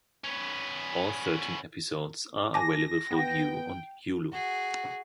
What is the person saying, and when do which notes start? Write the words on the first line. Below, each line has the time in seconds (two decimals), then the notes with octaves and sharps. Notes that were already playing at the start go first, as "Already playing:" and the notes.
All thirteen episodes are available for view on Hulu.
0.24 B3 C#4
2.54 G#5 A5 D6 A#6
3.11 B3 G5
4.32 F#4 G#4